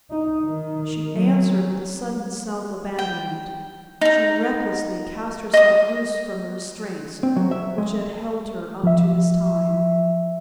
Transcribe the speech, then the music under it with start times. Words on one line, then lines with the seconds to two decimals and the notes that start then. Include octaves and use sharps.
She answered with a sudden self-abandonment; she recklessly cast herself loose from the restraints which had held her up to this time.
0.11 D#4
0.44 D#3
1.16 F#3
2.99 G5
4.01 D#4 A#5
5.54 D#5 D#6
7.23 C4
7.36 F#3
7.51 E5
7.78 G#3
8.83 F3 E5